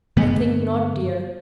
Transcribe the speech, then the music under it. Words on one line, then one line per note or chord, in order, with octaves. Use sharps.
'I think not, dear.
G2 D3 A3 B3